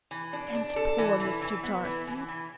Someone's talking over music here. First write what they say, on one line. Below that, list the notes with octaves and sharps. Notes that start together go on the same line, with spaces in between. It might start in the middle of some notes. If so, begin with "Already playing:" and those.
And poor Mr. Darcy!
E3
D4
D4
A4
E3
E3
E3
B3
E3
E3
E3